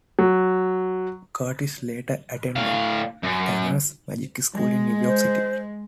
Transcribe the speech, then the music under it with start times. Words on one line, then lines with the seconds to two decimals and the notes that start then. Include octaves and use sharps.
Curtis later attended Tannen's Magic School in New York City.
0.19 F#3
2.56 A2 F5
3.23 F#2
4.55 G#3
5.07 C5